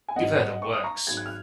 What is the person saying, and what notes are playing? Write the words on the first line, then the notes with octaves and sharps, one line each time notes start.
Give her the works.
G#5
G#1 G#2 F#3 D#5 F#5
C#6
D#6
A#5 C#6
G#1 G#2 F#3 G#6
F#6
F6